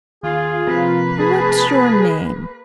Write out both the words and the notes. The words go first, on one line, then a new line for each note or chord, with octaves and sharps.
"What's your name?"
D#2 F4 G#4
C3 F3 A#3 B4
G#4 A5